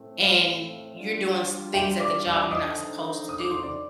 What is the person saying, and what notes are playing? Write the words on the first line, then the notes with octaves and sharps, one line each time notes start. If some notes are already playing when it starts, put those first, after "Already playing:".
and you're doing s things at the job you're not supposed to do,
Already playing: A2 A3 C4
F5
G3 D4 F4
G4 G5
D5 D6
D5 D6
D6
D3 F3 C4 D#4 D#5 D#6
D#6
D6
C6
D5 D6